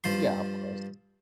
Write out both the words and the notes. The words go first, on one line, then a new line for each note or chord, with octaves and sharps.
Yeah, of course.
G2 F3 C6